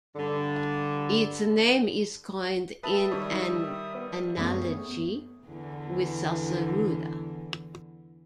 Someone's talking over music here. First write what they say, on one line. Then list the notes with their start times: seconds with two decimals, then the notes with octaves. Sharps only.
Its name is coined in an analogy with Salsa Rueda.
0.15 G2 D3
2.83 B4 E5 A5 B5 D#6
3.12 D#3 G3 C#5
3.31 D#4
3.95 B3
4.37 F#2 A3 B3 G#4 C#5
5.47 E2 D3 E3